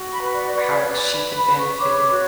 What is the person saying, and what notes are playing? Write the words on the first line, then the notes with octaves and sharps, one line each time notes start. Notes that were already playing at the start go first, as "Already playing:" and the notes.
how c she could benefit
Already playing: F#4
B5
B4
D5
B4 D5
C#5
B4 D5
B4
B5
B4
C#6
C#5 D6
D6
F#4